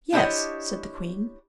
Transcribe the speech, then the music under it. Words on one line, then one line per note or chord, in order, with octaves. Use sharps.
"Yes," said the queen.
D4 E4 G4 C5 C#5 D#5